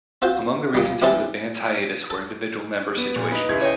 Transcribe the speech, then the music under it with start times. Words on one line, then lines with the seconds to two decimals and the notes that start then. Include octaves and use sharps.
Among the reasons for the band's hiatus were individual member situations.
0.22 C4 F4 F#4 C5
0.75 A#2 G3
1.02 E3 G3 C4 C#4 E4 A4
2.10 A4
2.97 B3
3.16 A#2
3.32 D#4 B4
3.49 C#2 E4 G#6
3.61 C#5 D#5 G5